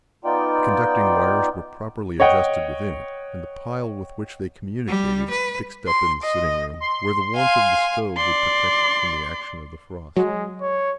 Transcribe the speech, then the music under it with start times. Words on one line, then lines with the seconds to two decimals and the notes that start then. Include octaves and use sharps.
The conducting wires were properly adjusted within it, and the pile with which they communicated fixed up in the sitting-room, where the warmth of the stove would protect it from the action of the frost.
0.25 B3 D#4 F4 D5 G5
2.20 C#5 D#5 F#5 G5
4.87 G3
5.30 B4
5.87 C6
6.23 D#5
6.80 C6
7.35 F5 G#5
8.17 D5 C6
10.17 F#3 G#3
10.61 C#5